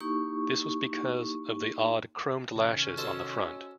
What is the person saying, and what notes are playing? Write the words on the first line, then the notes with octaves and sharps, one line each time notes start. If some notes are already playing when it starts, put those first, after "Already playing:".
This was because of the odd chromed "lashes" on the front.
A#3 D#4 E4 G4 C#6
C3 D#3 C#4
F#4 A4 C5 D#5 E6